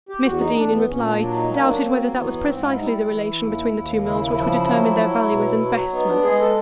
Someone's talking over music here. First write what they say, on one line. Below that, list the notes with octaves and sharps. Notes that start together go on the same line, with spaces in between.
Mr. Deane, in reply, doubted whether that was precisely the relation between the two mills which would determine their value as investments.
G4
E2 F#4
D#4
E2 D4
B3
A#2 C#4
D4
F#3 D4
D#4
A#3 D4
D#4
D4
F#3 C4
E3 B3
B3
G#2 C4
F4
E4
G3 D#4
E4
E3
D#2
D#2
C#3 E4
F3
F#3
F#3
B2
F#3
B3 D#4
D4
G#3 G#4
A4